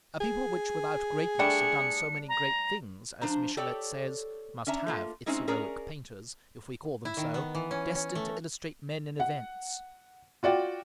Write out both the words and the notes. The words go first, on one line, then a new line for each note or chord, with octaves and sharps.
A people which without greatness had done so many great things, as Michelet says, must have its heroic painters, if we call them so, destined to illustrate men and events.
G#4
G3 A3 D4 C#7
A#5
F3 D4 C5 A#5
G4 A4 C#5 D5 G5
C#4 D4 E5 A#5
A3 A#3 F4
G#3 C4 C#4 D#4 E4
C#4 G#4 A#4 D5 A#5
E4
D#3
B3
E3
C#4
C#4
A3
F#5
F4 F#4 D5 G5